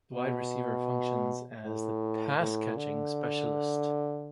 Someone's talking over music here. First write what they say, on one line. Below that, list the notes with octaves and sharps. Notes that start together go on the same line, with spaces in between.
The wide receiver functions as the pass-catching specialist.
B2
A2
A2
D3